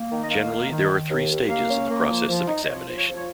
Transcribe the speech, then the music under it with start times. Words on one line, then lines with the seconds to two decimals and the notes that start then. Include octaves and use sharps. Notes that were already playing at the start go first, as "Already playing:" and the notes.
Generally, there are three stages in the process of examination.
Already playing: A#3
0.11 D#3
0.23 D#5
0.30 A#3 F5
0.50 D#3
0.70 D#3
0.90 D#3
1.09 D#2
1.30 D#2
1.49 A#3 F5
1.70 C#4
1.89 A#3
2.09 F3
2.28 F3
2.48 D#4
2.63 D#5
2.67 F3 C#5
2.88 F3
2.98 C#5
3.07 F3
3.17 C#5